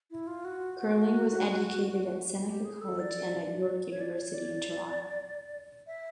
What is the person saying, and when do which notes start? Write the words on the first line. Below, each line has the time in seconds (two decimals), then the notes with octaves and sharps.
Curling was educated at Seneca College and at York University in Toronto.
0.11 E4
0.27 F4
0.45 F#4
0.78 F#4
2.47 G4
2.65 G#4
2.81 A4
2.99 D5
3.90 C#5
4.01 D5
4.18 C#5
4.34 D5
5.87 E5